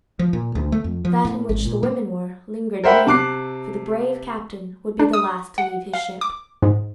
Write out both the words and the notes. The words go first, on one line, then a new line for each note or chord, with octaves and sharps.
That in which the women were lingered near, for the brave captain would be the last to leave his ship.
F3
A#2
D2
A3
F2
F3
A2
G#1
A#2
A#3
A#4 C5 E5 F#5 G5 B5
C3 A5 D6 F#6 C7
D4
D#6
F#5
F5
D6
G#2